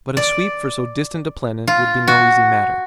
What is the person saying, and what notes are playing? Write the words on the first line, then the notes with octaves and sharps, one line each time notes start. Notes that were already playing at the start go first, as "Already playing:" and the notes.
But a sweep for so distant a planet would be no easy matter.
D5
F4
F#4